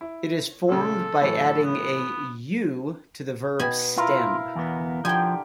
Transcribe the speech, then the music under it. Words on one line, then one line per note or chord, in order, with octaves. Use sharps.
It is formed by adding a -u to the verb stem.
E4
A#2 C#3 A4
A2 E3 F#3
B3
B2 G#5 B5
E4 F4 A#4 F5
E2 B3
D3 F3 G4 G5 G#5